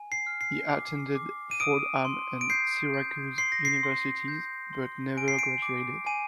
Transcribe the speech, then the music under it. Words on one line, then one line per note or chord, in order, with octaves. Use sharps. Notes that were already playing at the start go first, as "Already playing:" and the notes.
He attended Fordham and Syracuse Universities but never graduated.
Already playing: G#5
C7
F6
C7
D6
D6
D#7
D#6 D7
C6
D7
G6 C7
G6
C6 C7
A#6
C7
C6
G6
C6
G#5 D7
C7
D7
D6
G#5 D#7